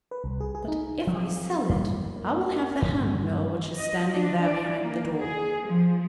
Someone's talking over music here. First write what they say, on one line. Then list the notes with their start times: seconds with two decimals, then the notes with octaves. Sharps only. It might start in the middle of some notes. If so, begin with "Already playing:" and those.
"But, if I sell it, I will have the hand-mill which is standing there behind the door."
0.11 B4
0.24 C2
0.40 G#4
0.55 G#4
0.68 D#4
1.07 F3 F#3 A3 C4
1.69 F#2 G3 A#3
2.16 A#3
2.82 G2 D3 F3
3.77 D#5
4.13 D4
4.44 D5
4.81 A#3
5.20 G#4
5.67 F3